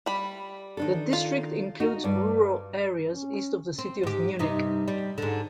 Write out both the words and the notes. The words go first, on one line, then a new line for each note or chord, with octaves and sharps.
The district includes rural areas east of the city of Munich.
G3 B5
D#3 D4 A4
F4
D#4 F#4
G2 D5
C#4
C4
G#2 G4
G2 C3 D#4
G3
G#2 D3